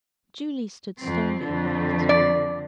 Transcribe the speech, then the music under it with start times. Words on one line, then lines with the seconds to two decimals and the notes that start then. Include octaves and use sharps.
Julie stood stonily erect.
0.98 F2 C4
1.43 F2 D3
2.09 D5